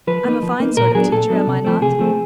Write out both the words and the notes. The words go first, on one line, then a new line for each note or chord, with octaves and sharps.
I'm a fine sort of teacher, am I not?
F3 B4
A#3 D#4
F3
A#3 D#4
A#2 A#4
F#3 B3 D4 G#4
A#2 A4
F#3 B3 D4
C3
F3 A3 C4
C3 G#4
F3 A3 C4